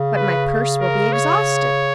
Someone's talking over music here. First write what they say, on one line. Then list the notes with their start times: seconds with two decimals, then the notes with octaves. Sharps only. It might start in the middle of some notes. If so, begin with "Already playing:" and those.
"But my purse will be exhausted."
Already playing: C#3
0.17 B4
0.81 A#4
1.13 C#5